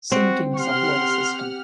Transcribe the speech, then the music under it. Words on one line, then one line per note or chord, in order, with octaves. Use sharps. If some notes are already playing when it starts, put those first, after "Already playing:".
Sinking Subway System!
C4 F#4
G4 F#5 C6 F6